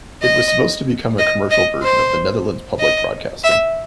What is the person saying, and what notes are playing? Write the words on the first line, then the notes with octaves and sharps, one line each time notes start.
It was supposed to become a commercial version of the Netherlands Public Broadcasting.
D#5
D#5
D#5
C5
D#5
E5